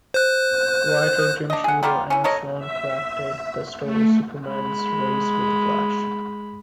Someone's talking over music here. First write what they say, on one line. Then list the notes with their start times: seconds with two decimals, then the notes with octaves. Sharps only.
Writer Jim Shooter and Swan crafted the story Superman's Race With the Flash!
0.14 C5 F#6
1.50 D4 D#5
1.64 G#4 F#5
1.83 G3 A#3 B3 F4
2.10 E3 C#4
2.24 A4 A#4 C#5 D#5
2.58 E5
3.82 A3
4.45 G#3 B5